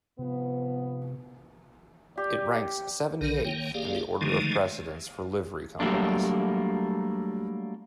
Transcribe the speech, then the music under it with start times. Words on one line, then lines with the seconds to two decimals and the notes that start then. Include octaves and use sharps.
It ranks seventy-eighth in the order of precedence for Livery Companies.
0.19 G#2 C3 F3 B3
2.18 G4 D5
3.21 B1 D#3 A#4
3.45 D#3 A#3 C#5 G5
3.74 A#3 G4 G#4 D5 F5
4.21 D3 D#3 F3 G#3 A3 D#4
5.80 F#3 G3 A3 A#3 D4